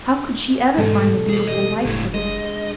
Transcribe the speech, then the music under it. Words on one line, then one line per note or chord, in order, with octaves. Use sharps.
How could she ever find a beautiful wife for me?
E2 G#2 B2 G#3 A4
G#4 C5
D4 G4 D#5
F#1 C#2 A2
G#3 D#5